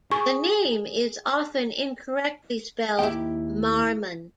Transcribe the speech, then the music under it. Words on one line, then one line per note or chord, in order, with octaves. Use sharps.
The name is often incorrectly spelled "Marmon".
G#4 C#6
D#2 A#3 E4 G4 G5